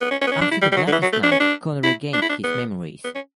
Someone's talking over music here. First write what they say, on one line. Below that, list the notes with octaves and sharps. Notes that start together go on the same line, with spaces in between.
After the "Blackest Night," Connor regained his memories.
B3
C#4
C#4
B3
C#4
D4
E4
G3
G3
F#3
D3
E3
F#3
A3
D4
C#4
D4
E4
D4
E4
D4
B3
B3
C#4